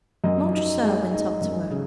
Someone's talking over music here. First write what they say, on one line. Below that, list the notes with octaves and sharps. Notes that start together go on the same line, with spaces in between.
Montresor went up to her.
F#2 D#5
D#4
G#3
D#4
F#2
C#3